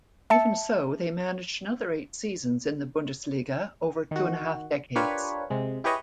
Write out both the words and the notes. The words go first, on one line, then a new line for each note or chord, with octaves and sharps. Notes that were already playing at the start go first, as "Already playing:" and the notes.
Even so, they managed another eight seasons in the Bundesliga over two-and-half decades.
E5 A5 C#7
D#3 F#4
D4 F4 G4 A#4 B4 C#5
C3 G#3
E4 G4 G#4 B4 C#5 D#5